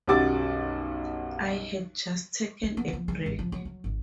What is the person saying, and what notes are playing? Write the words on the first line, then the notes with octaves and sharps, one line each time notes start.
I had just taken a break.
B1 F#2 G3 F#4 D6 A6
G#3
B3
F3
G#3
G#1
F3
F#3
F#3
G#1